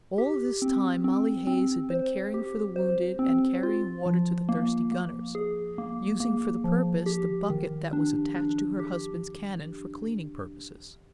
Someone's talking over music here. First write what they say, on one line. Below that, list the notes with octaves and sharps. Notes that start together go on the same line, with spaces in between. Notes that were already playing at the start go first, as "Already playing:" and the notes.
All this time Molly Hays had been caring for the wounded and carrying water to the thirsty gunners, using for the purpose the bucket that was attached to her husband's cannon for cleaning purposes.
G4
C4
C4
C4
C5
G4
C5
C4
F4
F3
A#3
A#3
G#4
A#3
A#3
F3
G4
D#3
D4
D4
G4